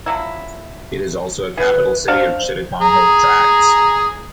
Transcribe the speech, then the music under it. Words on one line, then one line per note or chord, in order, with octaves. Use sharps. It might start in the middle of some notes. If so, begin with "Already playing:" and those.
It is also a Capital city of Chittagong Hill Tracts.
F3 F#3 E4
E4 G#4 B4
D4 F#4 C5 F5
G#4 A#5